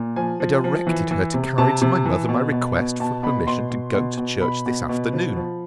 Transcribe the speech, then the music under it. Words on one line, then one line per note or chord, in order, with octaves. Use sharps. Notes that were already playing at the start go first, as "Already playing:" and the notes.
I directed her to carry to my mother my request for permission to go to church this afternoon.
Already playing: A#2
F3 G#5
F3
F3
E3
E3
C3
C3 A5
C3
E3
B2
B2
B2
B2 A5
B2 B5
B2 C6
B2
B2
B2
B2 B5
B2
B2
F3
F3